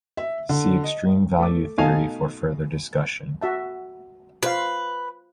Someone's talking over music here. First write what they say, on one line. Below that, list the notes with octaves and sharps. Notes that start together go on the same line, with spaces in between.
See extreme value theory for further discussion.
E5
D3
D#5
A3 A4 D6
B2 A3 D#4 F5 G#5 A5
F#4 E5 A5
F4 B4 C5 F5